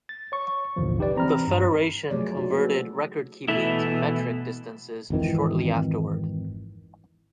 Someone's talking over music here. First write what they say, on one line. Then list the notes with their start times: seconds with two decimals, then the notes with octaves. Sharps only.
The federation converted record-keeping to metric distances shortly afterward.
0.09 A6
0.32 C#5 C#6
0.76 A1 D#2 B2 D3 F3
0.99 D#4 G4 B4 D5
1.15 E3 C4 A#5 B5 F6
1.47 G2
2.11 F3 F#3 A3 G#4 C#5 D5
2.35 C#4 D#4 F#4
2.50 A#3 F#4 G#4 A4 B4
3.48 B2 E3 A3 E4
5.10 G#1 F2 D#3 E3